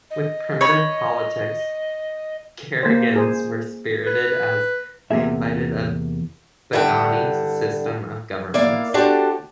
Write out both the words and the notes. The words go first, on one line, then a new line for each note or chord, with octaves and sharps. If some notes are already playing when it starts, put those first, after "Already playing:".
With primitive politics, Caragans were spirited as they invited a "bagani system" of governance.
D#5
C#5 B5
A#3 C5
G#4 C5
B4
E2 C3 E3 A#3 G#4 E5
G2 D3 E4 F#5 G5 A5
A#3 E4 D5 E5 F5
D4 F#4 G4 A4 C5